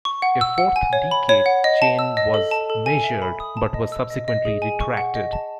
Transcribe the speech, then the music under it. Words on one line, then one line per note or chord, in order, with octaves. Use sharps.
A fourth decay chain was measured but was subsequently retracted.
C#6
F#5
E6
F#5
G#5
C#5
B5
C#5
F#5
D#5
A5
E6
D#5
A4
A5
A4
G#5
E5
B5
D#6
A5
D#5
E6
D#5
D#5
G#4
G#5
C#6
F#5
D#5
A5